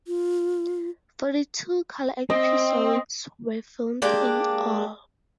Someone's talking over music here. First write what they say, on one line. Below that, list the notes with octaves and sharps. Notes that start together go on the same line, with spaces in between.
Forty-two color episodes were filmed in all.
F4
C4 D#5
G#3 A#3 D4 G4